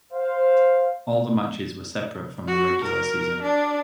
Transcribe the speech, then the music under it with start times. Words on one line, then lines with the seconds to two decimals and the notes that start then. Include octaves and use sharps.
All the matches were separate from the regular season.
0.13 C5 F5
2.47 F#4
2.84 A#4
3.42 D4